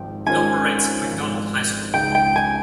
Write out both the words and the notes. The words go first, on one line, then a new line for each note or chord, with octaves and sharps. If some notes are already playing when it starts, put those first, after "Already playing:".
It operates Macdonald High School.
Already playing: G#1 G#2 F3 C4 D#4 G5
D#3 G#3 C#4 F4 C5 G#5
G#1 G#2 F3 G#3
C#2 C#3 G#3 D#4 G5
G5
G#5